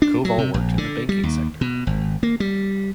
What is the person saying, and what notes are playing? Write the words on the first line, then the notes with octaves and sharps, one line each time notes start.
Koval worked in the banking sector.
D4
F#3
C3
A#1
D3
G3
D#2
B2
G#1
A#3
G3